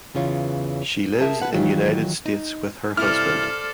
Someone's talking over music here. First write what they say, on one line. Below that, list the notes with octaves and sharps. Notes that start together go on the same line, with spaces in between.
She lives in United States with her husband.
E2 C#3 E3 F4 C#5
G#4 A#4 B4 E5 A5
B4 F#5
D#3 E3 F#3 F4 G4
D#4
G2 C3 E4 A4 C5 D5 F6